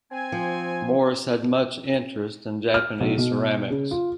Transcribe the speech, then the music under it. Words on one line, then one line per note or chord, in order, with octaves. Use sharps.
Morse had much interest in Japanese ceramics.
C4 G#5
F3
F6
B1
B2
C#3
F4